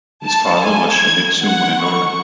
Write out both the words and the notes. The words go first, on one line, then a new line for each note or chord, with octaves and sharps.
His father was Shimizu Munenori.
A5
G#5
G#6
F#5
C#6